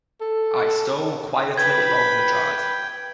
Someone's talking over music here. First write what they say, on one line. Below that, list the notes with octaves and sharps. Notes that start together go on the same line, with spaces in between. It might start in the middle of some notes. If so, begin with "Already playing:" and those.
I stole quietly along the drive.
A4
B4 G5 B5 G#6